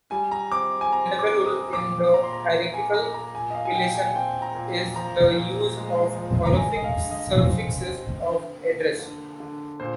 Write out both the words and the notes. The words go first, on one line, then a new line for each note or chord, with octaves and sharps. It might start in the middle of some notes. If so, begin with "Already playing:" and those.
Another rule in the hierarchical relation is the use of honorific suffixes of address.
G3 G#5
A#5
C4 D6
G#5
C4 A#5
D6
C4
D#6
A#2 D6
A#2 A#5
C6
A#5
A#3
G#5
A#3 A#5
A#5
A#2 G#5
D#5
F5
G#5
A#2 G5
G#5
C4 G5
A#5
A#2
F3 A#5
A#2
G#3
F3
A#5
G#3 G#5
D#5
F5
D3
D#5
C4 C5
C4
D3
A#3
D3
D3
A#2 C5